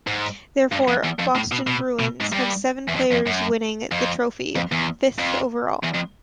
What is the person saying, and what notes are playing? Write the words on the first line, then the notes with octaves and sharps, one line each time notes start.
Therefore, Boston Bruins have seven players winning the trophy, fifth overall.
G#2
G2
F2
E2
F2
A2
B2
B2
B2
G#2
G2
E2
F2
F2
F#2
F2
F2
E2
F2
E2
F2